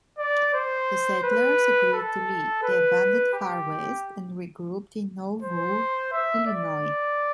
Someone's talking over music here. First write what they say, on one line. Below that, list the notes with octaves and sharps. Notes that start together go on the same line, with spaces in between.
The settlers agreed to leave; they abandoned Far West and regrouped in Nauvoo, Illinois.
D5
C5
B4
A4
B4
G4
C5
E5
D5